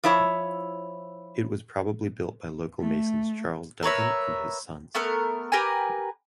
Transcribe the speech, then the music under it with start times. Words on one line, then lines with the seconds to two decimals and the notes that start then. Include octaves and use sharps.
It was probably built by local masons Charles Duncan and his sons.
0.04 F3 E4 C#5
2.79 A3
3.83 A#4 B4 C#5 E5
4.95 A3 B3 A#4 F#6
5.52 G4 A#4 B4 G#5